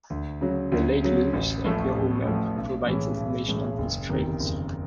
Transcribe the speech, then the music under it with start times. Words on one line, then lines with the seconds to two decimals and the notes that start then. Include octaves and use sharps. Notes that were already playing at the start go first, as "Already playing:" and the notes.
The Lake Louise and Yoho Map provides information on these trails.
0.10 D2
0.41 C#3 F#3
0.72 D2
1.03 C#3 F#3
1.33 A1
1.64 A2 F3 A3
1.95 A1
2.25 A2 F3 A3
2.56 B1
2.87 A2 E3 G#3 C#4
3.17 B1
3.47 A2 E3 G#3 C#4
3.78 F#1
4.09 E2 C3 D#3
4.40 F#1